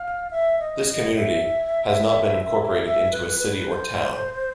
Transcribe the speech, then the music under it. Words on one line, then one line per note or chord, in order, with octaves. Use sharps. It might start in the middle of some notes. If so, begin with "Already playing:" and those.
This community has not been incorporated into a city or town.
Already playing: F5
E5
D#5
D#5
E5
E5
B4
B4
C5